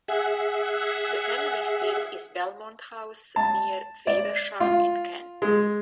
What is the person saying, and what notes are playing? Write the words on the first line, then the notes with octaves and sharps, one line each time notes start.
The family seat is Belmont House near Faversham in Kent.
G#4 E5 F#5
A5
D5
F4
G#3